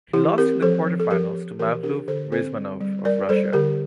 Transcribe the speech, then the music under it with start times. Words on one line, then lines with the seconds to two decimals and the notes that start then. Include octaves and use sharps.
He lost in the quarterfinals to Mavlud Rizmanov of Russia.
0.13 E3 E4 G4
0.38 C4 G4 A#4
0.62 F3 A4 C5
0.86 F3
1.00 A4
1.10 F3 G4 A#4
1.35 F3
1.59 E3 G4 A#4
1.83 D4 G4 A#4
2.08 D3 A4 C5
2.32 C4 A4 C5
2.56 G3
2.81 G3
3.05 G3 A#4 D5
3.29 G3 A4 C5
3.53 D3 G4 A#4